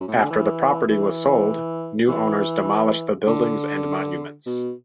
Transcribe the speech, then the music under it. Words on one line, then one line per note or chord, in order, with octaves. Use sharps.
After the property was sold, new owners demolished the buildings and monuments.
F#2
A2
B2
D3
E3
E3
E3
D3
B2